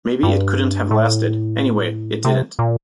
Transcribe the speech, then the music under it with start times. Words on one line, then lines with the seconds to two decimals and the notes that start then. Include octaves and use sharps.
Maybe it couldn't have lasted; anyway, it didn't.
0.23 G2
0.91 A2
2.25 C3
2.59 A#2